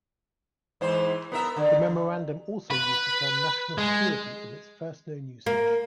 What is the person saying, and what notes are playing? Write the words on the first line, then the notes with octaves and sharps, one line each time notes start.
The memorandum also used the term "national security" in its first known usage.
G#2 E3 C5
B3 A#4 E5
D3
B4
G#3
A#3